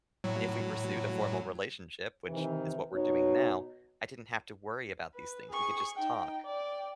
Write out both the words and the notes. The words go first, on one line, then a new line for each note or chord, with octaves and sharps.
if we pursued a formal relationship- which is what we're doing now- I didn't have to worry about these things, we could just talk.
A2 F#3
C3 D#3 E3
B2 D#4 F#4 C#5
B4
G#4 C#6
D#4 G5
D5 G5